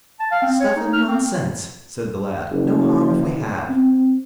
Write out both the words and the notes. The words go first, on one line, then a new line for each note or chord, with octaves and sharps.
'Stuff and nonsense!' said the lad; 'no harm if we have.'
A5
F5
C4
C#5
D#4
F6
C4
F#1
C4